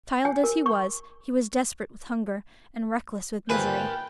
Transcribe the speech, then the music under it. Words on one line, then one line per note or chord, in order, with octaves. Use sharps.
Child as he was, he was desperate with hunger, and reckless with misery.
G#5
A#4
C#6
G1 D#2 F3 A#4 B4 G5 G#5